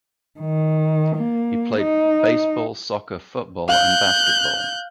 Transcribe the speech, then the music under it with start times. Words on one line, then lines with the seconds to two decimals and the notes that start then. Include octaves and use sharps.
He played baseball, soccer, football, and basketball.
0.40 D#3
1.17 A#3
1.82 D#4
3.69 F5 F#6 G6